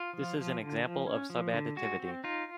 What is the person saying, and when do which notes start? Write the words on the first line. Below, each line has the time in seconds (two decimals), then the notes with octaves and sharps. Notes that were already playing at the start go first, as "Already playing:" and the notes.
This is an example of subadditivity.
Already playing: F4
0.13 F3
0.37 F3
0.60 D3
0.84 F3
1.07 C#4
1.30 F3
1.54 D3
1.76 G#3 F#4
2.00 C4
2.24 D#4 F4